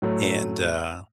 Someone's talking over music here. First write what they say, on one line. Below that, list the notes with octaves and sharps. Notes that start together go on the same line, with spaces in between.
and, uh
A2 F#3 A3